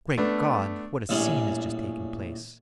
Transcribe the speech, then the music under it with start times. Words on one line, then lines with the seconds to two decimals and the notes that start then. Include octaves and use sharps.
Great God! what a scene has just taken place!
0.18 A3 B3 D4
1.09 A#1 A2 G3 C#4 G#4